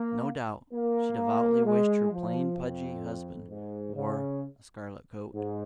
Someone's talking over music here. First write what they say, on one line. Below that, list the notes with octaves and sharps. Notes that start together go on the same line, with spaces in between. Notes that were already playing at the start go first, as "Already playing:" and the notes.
No doubt she devoutly wished her plain pudgy husband wore a scarlet coat.
Already playing: A#3
A#3
G#3
F3
F2
G#2
C#3
G#2